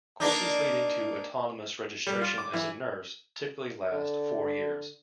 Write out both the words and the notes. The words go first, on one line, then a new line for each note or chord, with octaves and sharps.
Courses leading to autonomous registration as a nurse typically last four years.
A#3 D4 D#4
G3
F4
D6
E3
D3